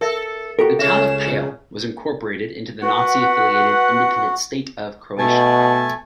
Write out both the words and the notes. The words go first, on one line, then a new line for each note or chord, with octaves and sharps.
The town of Pale was incorporated into the Nazi-affiliated Independent State of Croatia.
A4 A#4 E5
F#4 G4 A4 A#4
C#2 C#3 C#4 G#4 E5 E7
F4
F#4 B4 F#5
B2 A3 G#5 A5